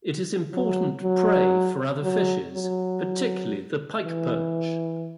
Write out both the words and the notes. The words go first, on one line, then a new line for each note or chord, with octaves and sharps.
It is important prey for other fishes, particularly the pikeperch.
F#3
F#3
F#3
F#3
E3